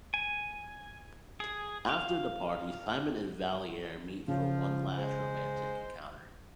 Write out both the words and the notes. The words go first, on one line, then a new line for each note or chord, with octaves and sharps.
After the party, Simon and Vallier meet for one last romantic encounter.
G#5
G#4
F5
C#3 F3
G#3 C5